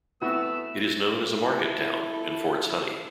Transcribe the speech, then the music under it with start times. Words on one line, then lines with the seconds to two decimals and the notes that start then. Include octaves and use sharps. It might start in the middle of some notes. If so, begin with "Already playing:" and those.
It is known as a market town and for its honey.
0.22 A3 B3 C4 E4 F#4 E6
1.41 E4 A4